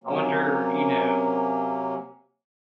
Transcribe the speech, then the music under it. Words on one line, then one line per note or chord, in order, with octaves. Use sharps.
I wonder, you know
C3 F#3 A#3 C#4